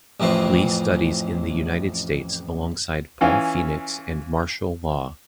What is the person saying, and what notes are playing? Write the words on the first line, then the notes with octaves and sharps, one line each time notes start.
Lee studies in the United States alongside Paul Phoenix and Marshall Law.
A1 F2 E3 C4
E3 C#4 F4